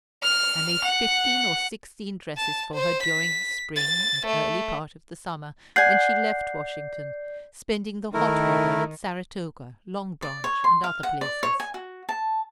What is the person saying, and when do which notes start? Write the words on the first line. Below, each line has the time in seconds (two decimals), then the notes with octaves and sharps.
I made fifteen or sixteen dresses for her during the spring and early part of the summer, when she left Washington; spending the hot weather at Saratoga, Long Branch, and other places.
0.23 F6 F7
0.84 F#5
2.37 A5
2.75 C5
3.03 B6
3.76 A6
4.26 A3
5.76 D5 F#5 G#5 G6 C7
8.14 D#3 A3 E4 A#4
10.22 D5
10.44 C#5
10.64 C6
10.84 F5
11.03 F#5
11.21 D5
11.43 C#5
11.60 G#5
11.74 F#4
12.09 A5